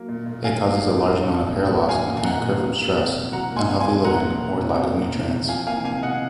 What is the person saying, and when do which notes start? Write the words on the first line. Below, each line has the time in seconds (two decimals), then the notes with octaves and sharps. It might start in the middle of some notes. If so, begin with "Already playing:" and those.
It causes a large amount of hair loss and can occur from stress, unhealthy living or lack of nutrients.
Already playing: F#3 A#3
0.08 A#2
0.26 A#2
0.44 F#3 F5 G#5
0.63 A#3
0.81 A#2
0.99 A#2
1.16 F#3
1.34 A#3
1.52 A#2
1.70 A#2
1.88 F#3 F5 G#5
2.07 A#3
2.18 G#5
2.24 A#2 F#5 A#5
2.43 A#2
2.60 F#3
2.79 A#3
2.97 C3
3.15 C3
3.32 F#3 F#5 A#5
3.50 A#3
3.56 G#5 C6
3.68 C3
3.80 G#5 C6
3.87 C3
4.05 F#3 F#5 A#5
4.23 A#3
4.41 C3
4.58 C3
4.77 F#3
4.95 A#3
5.13 C3
5.31 C3
5.48 F3 F5 G#5
5.67 A#3 F5 G#5
5.85 C3 F5 G#5
6.03 C3 D#5 F#5